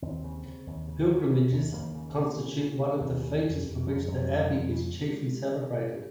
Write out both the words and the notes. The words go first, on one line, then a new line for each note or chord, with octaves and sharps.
Pilgrimages constitute one of the features for which the abbey is chiefly celebrated.
D#2 C4
C#3
C#3
D#2
C#3
C#3
C#3
D#2
D#2 A#3
C#3
C#3
C#3
C#3
C#3
D#2
C#3
F2
F2
F2
F2
F#3
C#3 G#3
F2
C#3